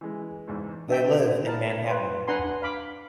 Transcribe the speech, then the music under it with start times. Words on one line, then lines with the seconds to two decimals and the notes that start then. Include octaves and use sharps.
They live in Manhattan.
0.01 E3 G#3
0.47 E2 G#2 E3
0.89 D4 E5 G5
1.44 E4 A#4 A5
1.87 B4 C5
2.28 D4 B4 F#5 G#5 A#5 C6
2.62 F5 B5 D6